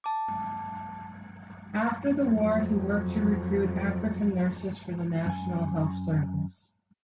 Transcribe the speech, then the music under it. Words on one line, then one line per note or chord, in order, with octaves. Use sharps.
After the war he worked to recruit African nurses for the National Health Service.
A5 D6
F2 F#3
F#2 G#5